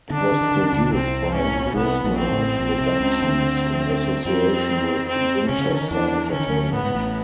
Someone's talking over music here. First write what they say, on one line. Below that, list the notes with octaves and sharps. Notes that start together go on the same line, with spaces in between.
It was produced by Prisma Productions in association with Winchester Entertainment.
D3 D4
D#3
D3
D#3
D3
D#3
D2 D3
B2
C2 C3 C4
G#2 C#4
A2
A#2
B2
C2 C3 B3
A#1 A#2
C4
A1 A2
A#1 A#2
C2 C3
C#2 C#3
D2 D3
F2 F3 C4
C4
C3 C#4
C#3
D3
D#3
E2 E3 D4
D3 C#4
D#3
D2 D3
A2 B3
G#2
A1 A2